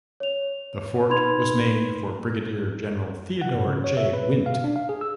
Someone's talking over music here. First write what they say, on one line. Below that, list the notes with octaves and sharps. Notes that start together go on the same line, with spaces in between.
The fort was named for Brigadier General Theodore J. Wint.
C#5 F7
D#4 B4 B5 C6 G#6 F7
F#5
G2
C#3
C#5
E5
B4
B2
F5
D4
F5
G#4
E6